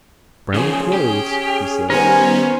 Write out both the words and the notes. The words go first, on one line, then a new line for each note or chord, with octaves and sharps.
"Brown clothes?" he said.
C#3 F3 C#4 G#4
G4
D#3 G3 B3 C#4 A#4 C5 G#5